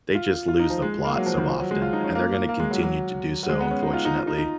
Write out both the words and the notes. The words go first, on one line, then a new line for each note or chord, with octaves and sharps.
they just lose the plot so often, and they're gonna continue to do so unfortunately,
F4
F4
D#4
F3
G#3
A#3
F#3
F3
D#3
F3
F#3
G#3
F4
D#4
C#4
A#3
A#3
A#3
G#3
F#3
F#3
F#3
G#3
B3
C#4
D#4
F4
D#4
F4
D#4
D#4